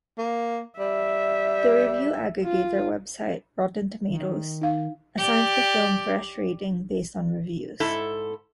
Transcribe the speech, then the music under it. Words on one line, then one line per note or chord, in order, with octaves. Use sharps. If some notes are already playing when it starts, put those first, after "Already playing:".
The review aggregator website Rotten Tomatoes assigns the film fresh rating based on reviews.
A#3
G3 E5
F4
D#3
D#4 F5
G4 D5
G#2 E4 A4